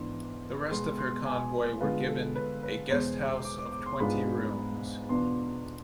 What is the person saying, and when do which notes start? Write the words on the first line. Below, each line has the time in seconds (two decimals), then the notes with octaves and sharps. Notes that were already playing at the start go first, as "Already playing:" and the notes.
The rest of her convoy were given a guest house of twenty rooms.
Already playing: G#2 E3 B3 D4 C6
0.71 B2 G#3 B3 C6
0.99 C6
1.25 G#5
1.81 D3 G#3 B3 F4 B4
2.08 A4
2.35 B4
2.63 B4
2.90 E2 B2 G#3 C5
3.45 D6
3.58 D6
3.72 D6
3.86 C6
4.00 G#2 G#3 B3 D4 F4 B5
5.09 E2 B2 B3 D4 F4 C6